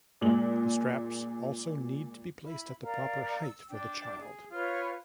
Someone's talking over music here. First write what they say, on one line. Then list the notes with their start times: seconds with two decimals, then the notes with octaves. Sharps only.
The straps also need to be placed at the proper height for the child.
0.21 A#2 G#3 F#7
2.44 E4 B5
2.82 A#4 D5 F5
3.42 E6
3.70 D4 D5 G5
4.20 G#4
4.52 F4 B4 C#5 F6